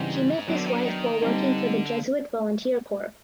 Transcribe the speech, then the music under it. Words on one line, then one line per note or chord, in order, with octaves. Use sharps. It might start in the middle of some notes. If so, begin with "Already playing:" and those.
He met his wife while working for the Jesuit Volunteer Corps.
Already playing: G#2 C#3 E3 G3 C4
A2 F#3 B3 D4
D3
D#3
D3
D#3
D3 G3 C4 D#4